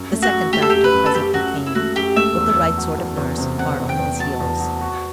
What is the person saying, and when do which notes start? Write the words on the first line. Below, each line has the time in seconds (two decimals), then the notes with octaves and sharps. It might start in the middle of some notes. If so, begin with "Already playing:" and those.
The second doctor presently came, with the right sort of nurse hard on his heels.
Already playing: F#2
0.12 A3
0.22 F#4
0.32 F#3
0.53 A3 G4
0.62 A4
0.70 F#2 G4
0.84 B4
0.94 F#2
1.06 A4
1.14 F#2 G4
1.34 F#2 F#4
1.54 F#2
1.67 E4
1.75 A3 F#4
1.96 F#2 G4
2.16 A3 E5
2.37 E2
2.56 E2
2.78 F#3
2.98 E2
3.17 E2
3.38 C3
3.58 C3 F#5
3.80 E2
3.89 G5
3.99 E2
4.20 F#3 A5
4.40 E2
4.60 F#3
4.81 F#4